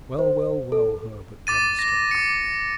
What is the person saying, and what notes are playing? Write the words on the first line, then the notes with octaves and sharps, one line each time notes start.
"Well, well, well!" Herbert remonstrated.
C5
A4
D6 A6 D#7
A#6
D6 C#7